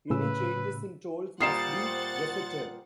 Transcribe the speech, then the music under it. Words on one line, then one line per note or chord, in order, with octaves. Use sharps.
Any changes in tolls must be gazetted.
A2 C#3 B4 E6
A#2 G3 C5 F#5 D#6 A6 C7 E7